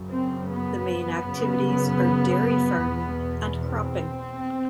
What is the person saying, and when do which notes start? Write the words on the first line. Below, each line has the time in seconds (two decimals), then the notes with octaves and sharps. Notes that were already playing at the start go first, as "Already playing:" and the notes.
The main activities are dairy farming and cropping.
Already playing: F#2 C#3
0.10 C4
0.49 B3
1.27 F#2 C#3
2.84 E2 B2
3.63 C4